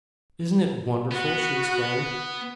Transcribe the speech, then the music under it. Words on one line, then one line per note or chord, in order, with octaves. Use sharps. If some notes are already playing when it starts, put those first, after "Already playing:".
"Isn't it wonderful!" she exclaimed.
B3 F#4